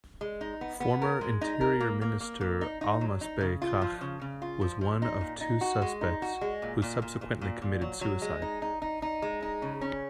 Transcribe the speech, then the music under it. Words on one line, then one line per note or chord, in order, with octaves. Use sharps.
Former Interior Minister Almasbei Kchach was one of two suspects who subsequently committed suicide.
G#3
D#4
B3
B3
A#4
G#3
D#4
A#4
A#3
A#3
A#3
A#3
D#4
D#4
F#3
D#4
C#3
F4
F3
C#3
C#3
F4
F3
F3
D#4
A#2
D#4
F#4
G#3
D#4
F#4
G#3
A#2
A#2
A#2
A#2
A#2
A#2
F#3
F#3
G#3
D#4
D#4
D#4
D#4
G#3
D#4
C#3
C#4